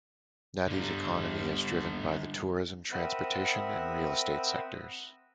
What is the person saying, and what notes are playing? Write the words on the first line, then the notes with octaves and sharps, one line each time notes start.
Nadi's economy is driven by the tourism, transportation and real estate sectors.
D3 G3
C4 A#4 E5 F#5 B5 D#6